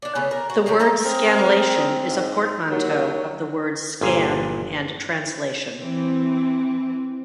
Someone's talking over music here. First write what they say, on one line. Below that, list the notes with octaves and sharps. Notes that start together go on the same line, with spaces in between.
The word "scanlation" is a portmanteau of the words scan and translation.
D4 D5
C#3 A3 B3 C#4
A#4
F#4
D#3 G3 A3 C#4
A4 D#5 A5 A#5
C4 G#4 A#4
G#2
D#2 F#3
G1 A#2 G#4 F5
E3 C4